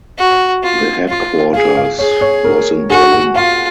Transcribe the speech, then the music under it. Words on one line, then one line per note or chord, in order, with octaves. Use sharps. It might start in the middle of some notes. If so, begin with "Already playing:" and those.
The headquarters was in Berlin.
F#4
F4
F4
G#4 F5
F5
G#4 C#5
C#5
A#4
F#4 G#4
F#5
F4 F5